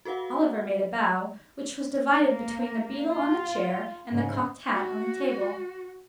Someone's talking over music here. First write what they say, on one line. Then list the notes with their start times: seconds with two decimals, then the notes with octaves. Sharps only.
Oliver made a bow, which was divided between the beadle on the chair, and the cocked hat on the table.
0.05 F#4 A4 B4 F5 F#5
2.17 A#3
3.12 F4
4.11 G#2 C#3
4.73 F#4